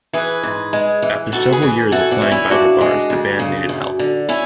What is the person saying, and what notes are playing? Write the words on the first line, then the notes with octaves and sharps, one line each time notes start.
After several years of playing biker bars the band needed help.
E3 G#4 B4
G#2
G#3
E3
D2 F#4 A4
G#4 B4
E3
E3 F#4 A4
D4 F#4
E3
C#4 E4
C#3 D4 F#4
G#3
D2
C#3
F#2
D3
C#4 E4